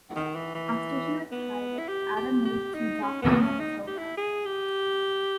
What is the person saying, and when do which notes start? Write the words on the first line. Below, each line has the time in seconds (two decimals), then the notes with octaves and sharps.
After he retired, Adam moved to Dauphin, Manitoba.
0.16 D#3
0.36 E3
0.55 E3
1.32 B3
1.79 E4
1.89 G4
2.17 G4
2.45 G4
2.75 D#4
3.03 C#4
3.22 B3
3.41 C#4
3.60 D#4
3.87 G4
3.98 E4
4.17 G#4
4.46 G4